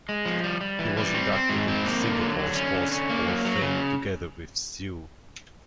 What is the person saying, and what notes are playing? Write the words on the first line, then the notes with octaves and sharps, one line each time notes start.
He was inducted in the Singapore Sports Hall of Fame together with Siew.
G#3
F3
G3
G3
E3
G3
C4
C4
G#2
C4
A#3
D3
F#3
D3
C#4
D3
C#4
A#3
F#3
F#3
C#3